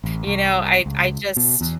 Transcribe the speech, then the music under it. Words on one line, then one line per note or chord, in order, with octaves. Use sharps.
You know, I'd I just
A1
C2
C#2
B2
E2